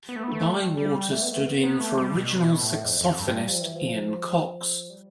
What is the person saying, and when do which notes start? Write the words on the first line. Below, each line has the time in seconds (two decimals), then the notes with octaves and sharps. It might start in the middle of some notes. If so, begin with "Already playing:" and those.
Bywater stood in for original saxophonist Ian Cox.
0.09 B3
0.16 A3
0.23 B3
0.31 A3
0.55 G3
0.77 G3
1.12 A3
1.22 B3
1.32 A3
1.46 B3
1.64 B3
1.80 A3
1.98 G3
2.15 B2
2.38 B2
2.60 A2
2.84 F2
3.01 F2
3.18 G2
3.35 G3
3.48 F3
3.61 E3
3.75 F3
4.90 G3